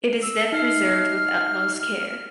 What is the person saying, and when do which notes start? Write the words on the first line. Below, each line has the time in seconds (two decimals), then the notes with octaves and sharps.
It is then preserved with utmost care.
0.23 E6
0.52 D#4 E5 F6 C7